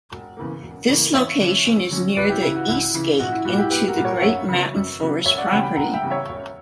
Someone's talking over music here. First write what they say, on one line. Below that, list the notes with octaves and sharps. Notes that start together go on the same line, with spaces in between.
This location is near the "east gate" into the Great Mountain Forest property.
E1
E2 C#3 E3 A#3
E1
E2 C#3 E3 A#3
E2 C#5 E5
D3 F#3 C#4
E2
D3 F#3 C#4
C#2 B4 D5
E4 G4
C#3 E3 E4
F#4
C#2 E4
C#3 E3
A#1 F#4
E4
A#2 G3 F#4
E4 G4
A#1 G4 B4
F#4 A#4
A#2 G3
A#4 C#5
F#5
F#2 C#5 E5
C#3 F#3 B3
F#2
C#3 F#3 B3
E1 C#5 E5
D5 F#5
E2 C#3 G3 G5 B5
G5 B5
E1 F#5 A#5
E5 G5
E2 C#3 G3
C#5 E5
E1